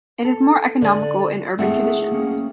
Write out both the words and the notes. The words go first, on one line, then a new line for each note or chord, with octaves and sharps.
It is more economical in urban conditions.
A4
D3 D5 G#5
A3 C4 E4 G#4 F#5
A#3 C#4